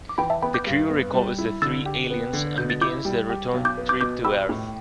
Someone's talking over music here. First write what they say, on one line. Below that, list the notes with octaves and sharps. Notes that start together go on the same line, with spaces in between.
The crew recovers the three aliens and begins the return trip to Earth.
D6
E3 G5 B5
E5 A5
B3 G5 B5
D6 G6
G2
B3
G3
E4
D3 E6 A6
G4
B3
D3
B2 G6
A6
E4 D6 G6
G3
G4
B1
D6 G6
B3
D6 G6
B2 D6 G6
G4 B5 E6
A2